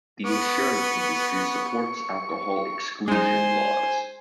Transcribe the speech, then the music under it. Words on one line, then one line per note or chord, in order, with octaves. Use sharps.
The insurance industry supports alcohol exclusion laws.
B3 C#6
G#3 D#4 C5 G#5